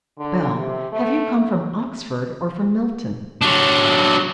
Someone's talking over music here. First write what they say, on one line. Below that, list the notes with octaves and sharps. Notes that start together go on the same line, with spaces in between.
Bell--have you come from Oxford or from Milton?'
D3
C3
A3
F#3 D4